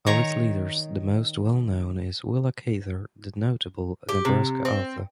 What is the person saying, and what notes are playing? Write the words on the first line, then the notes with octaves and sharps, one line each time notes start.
Of its leaders the most well known is Willa Cather the notable Nebraska author.
D#3 C#5 A#5
G4
C3
C4